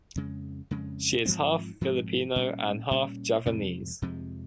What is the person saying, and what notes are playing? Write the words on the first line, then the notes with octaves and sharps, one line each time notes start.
She is half-Filipino and half-Javanese.
F2 C#3 G#3
F2 C#3 G#3
G#2 F3 G#3 C4
G#2 F3 G#3 C4
A#2 G3 C#4
A#2 G3 C#4
F2 C3 F3 G#3
F2 C3 F3 G#3